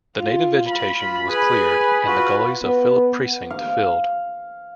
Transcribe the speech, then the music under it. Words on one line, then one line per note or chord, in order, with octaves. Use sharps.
The native vegetation was cleared and the gullies of Phillip Precinct filled.
F4
F4 B5
G#4 B4 G#5
F4 F#4 B4
B3
F5